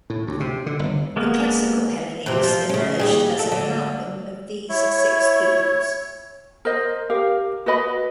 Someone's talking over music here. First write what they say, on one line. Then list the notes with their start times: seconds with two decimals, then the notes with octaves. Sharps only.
The classical Hellenes emerged as an amalgam of these six peoples.
0.10 A2
0.27 D2
0.40 C3
0.66 D3
0.79 G1
1.16 D1 G#3 A#3 B3
2.26 F2 C3
2.43 F3
2.69 C#3 C#4
2.99 D#2 G3 G#4
3.39 A4
3.52 D3
4.70 E4 C#5
6.65 A#4 C5 D#5
7.10 G4 A#4 F5
7.66 F#4 B4 D#5 B5